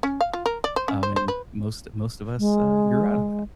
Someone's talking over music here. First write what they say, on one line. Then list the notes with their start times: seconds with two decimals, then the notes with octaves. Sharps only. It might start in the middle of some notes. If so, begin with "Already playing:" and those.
Um, and most most of us, uh, grew out of that.
0.03 C#4
0.21 F5
0.33 F4
0.46 A#4
0.64 D5
0.76 C5
0.88 C#4
1.03 C5
1.16 C5
1.28 B4
2.39 G#3